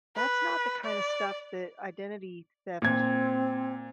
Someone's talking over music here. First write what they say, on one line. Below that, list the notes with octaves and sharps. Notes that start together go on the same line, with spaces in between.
that's not the kinda stuff that identity theft
B4
D5
A#2 C4 G#6